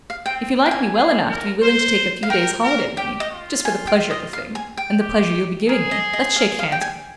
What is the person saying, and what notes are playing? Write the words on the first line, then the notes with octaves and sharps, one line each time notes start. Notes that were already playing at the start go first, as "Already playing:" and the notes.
If you like me well enough to be willing to take a few days' holiday with me, just for the pleasure of the thing, and the pleasure you'll be giving me, let's shake hands on it.
F5
C4 G5
A#3
G5
G#5
G#4
A#4
C5
F5
A#4 G5
A#4
G4 G5
D#5
F4
G#5
G5
D#5
F5
G#5
G5
G4
G#4 A#4
D#5
D#5
F5
F5
G5
G#5